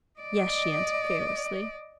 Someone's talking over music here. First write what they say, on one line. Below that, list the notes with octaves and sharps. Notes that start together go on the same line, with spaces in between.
"Yes," she answered fearlessly.
D5 D#5